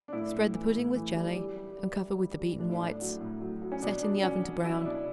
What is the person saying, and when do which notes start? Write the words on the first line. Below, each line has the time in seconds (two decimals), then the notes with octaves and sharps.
Spread the pudding with jelly and cover with the beaten whites; set in the oven to brown.
0.08 D4
0.13 A2 E4
0.34 A2
0.54 E3
0.75 A2
0.95 E3
1.16 G3
1.36 G3
1.56 G3
1.78 G3
1.98 G3
2.19 G3
2.39 G3
2.59 A2 D4
2.70 E4
2.80 A2 D4
3.01 F#3
3.21 A2
3.41 F#3
3.62 F#3
3.72 C#4
3.82 B2 D4
4.02 B2 D4
4.23 F#3 C#4
4.44 F#3
4.64 F#3 E4
4.84 B2 D4